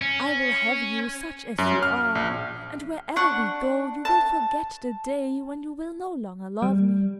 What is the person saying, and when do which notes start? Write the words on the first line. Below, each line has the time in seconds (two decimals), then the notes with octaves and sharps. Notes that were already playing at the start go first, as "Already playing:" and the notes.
I will have you, such as you are, and wherever we go you will forget the day when you will no longer love me.
0.02 C#4
1.58 F#2
1.83 F6
2.15 A#1
3.16 D4 F#5 C#6 F#6
4.05 A5
6.62 G3